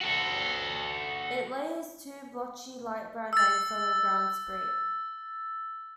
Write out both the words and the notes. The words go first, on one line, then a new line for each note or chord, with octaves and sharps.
It lays two blotchy light brown eggs on a ground scrape.
F#4 A4
E6 A6